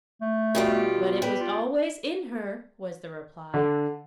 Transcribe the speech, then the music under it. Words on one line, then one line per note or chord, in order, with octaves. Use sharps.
"But it was always in her," was the reply.
A3
B2 G3 F4
G3 B4
F4
D3